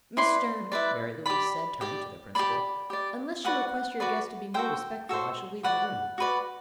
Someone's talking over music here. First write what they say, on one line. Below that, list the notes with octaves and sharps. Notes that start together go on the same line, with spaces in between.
"Miss Stearne," Mary Louise said, turning to the principal, "unless you request your guest to be more respectful I shall leave the room."
E4 B4 D5 C6
E4 B4 D5
G4 D5 B5
G4 D5
G4 D5 B5
G4 D5
F#4 B4 D5 F#5
F#4 B4 D5
F#4 A4 C5 G5
F#4 A4 C5
F#4 B4 D5 F#5
F#4 B4 D5